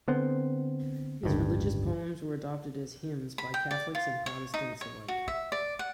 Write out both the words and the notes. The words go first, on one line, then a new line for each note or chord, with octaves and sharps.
His religious poems were adopted as hymns by Catholics and Protestants alike.
D3 B3 C4
D1 G1 C#2 G2
B5
G5
D5
F4
C#5
D#4
C#5
F#4
E5
D5
F#5